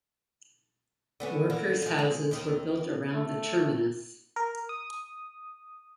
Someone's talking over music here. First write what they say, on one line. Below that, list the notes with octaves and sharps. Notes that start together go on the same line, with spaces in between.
Workers' houses were built around the terminus.
D3 B3 C#4
D3 A#3
F3 G#3
G#3
D#2 D#3
A3
A#4
D#6